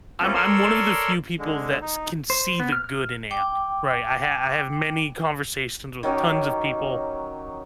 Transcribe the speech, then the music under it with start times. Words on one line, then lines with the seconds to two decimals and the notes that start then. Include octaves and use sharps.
I'm I'm one of the few people that can see the good in AI, right? I have I have many conversations with tons of people,
0.21 A3 A#3 C4 C#4 F4 A4
0.35 A4 A#4 C#5 D5 C6 E6
1.39 D3 G#3
1.82 D#4
2.30 C5
2.60 B3
2.72 F6
2.84 F6
3.31 G5 D6
6.03 D#3 F#3 C#4 G4